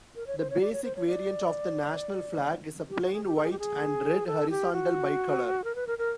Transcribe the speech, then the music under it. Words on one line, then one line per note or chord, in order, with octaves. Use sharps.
The basic variant of the national flag is a plain white-and-red horizontal bicolor.
A#4
C#5
C5
C#5
D5
C#5
C5
C#5
D5
G4
F#4
G#4
G4
A4
G#4
G4
G#4
A4
G4
F#4
A#4
B4
A#4
A#4